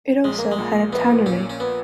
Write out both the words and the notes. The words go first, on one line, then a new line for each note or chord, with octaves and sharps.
It also had a tannery.
A#1 G#3
A#3
G#3
A#2 A#3
A#1 B3
A#2 A#3 C#4
C#4
B3